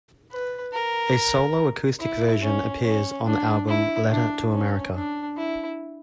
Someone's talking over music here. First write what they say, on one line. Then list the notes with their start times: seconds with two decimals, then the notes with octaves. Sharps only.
A solo acoustic version appears on the album "Letter to America".
0.31 B4
0.73 A#4
2.00 E4
2.42 C#4
2.84 C#4
3.26 D4
3.68 E4
4.10 D4
4.52 C#4
4.95 D4
5.37 E4